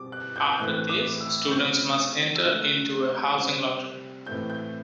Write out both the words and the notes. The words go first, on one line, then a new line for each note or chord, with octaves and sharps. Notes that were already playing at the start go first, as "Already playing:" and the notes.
After this, students must enter into a housing lottery.
Already playing: B2 G3 C4 D6
F#6
G6
G6
A2 E3 A3 C4 F#6
D6
E6
C3 F#3 A3 C4 G6
E6
D3 F#3 A3 F#6
C3 G3 C4
A2 E3 A3 C4 G6
G6